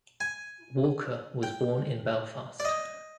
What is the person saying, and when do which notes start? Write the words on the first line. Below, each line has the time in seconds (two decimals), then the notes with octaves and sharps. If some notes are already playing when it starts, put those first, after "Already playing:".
Walker was born in Belfast.
0.21 G#5
1.43 G5
2.60 D5
2.65 D#5